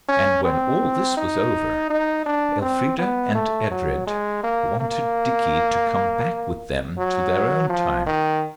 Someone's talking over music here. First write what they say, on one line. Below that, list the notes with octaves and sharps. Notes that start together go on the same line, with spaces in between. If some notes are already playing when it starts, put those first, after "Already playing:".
And when all this was over, Elfrida and Edred wanted Dickie to come back with them to their own time.
C#4
C4
D#4
D#4
D4
C4
B3
A3
F#3
G#3
A#3
A#3
F#3
F3
D#3